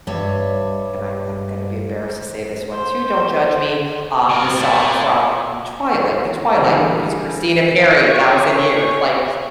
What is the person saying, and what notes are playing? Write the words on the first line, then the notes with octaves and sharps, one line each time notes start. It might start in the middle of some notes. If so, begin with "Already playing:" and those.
and I'm I'm gonna be embarrassed to say this one too, don't judge me, um, the song from Twilight, the Twilight movies, Christina Perri, Thousand Years, like,
G2 G3 C#5 E5
C5
C3 A#4
A3 E4
D3 E3 G3 G4 G#4 A#4
G#4 C#5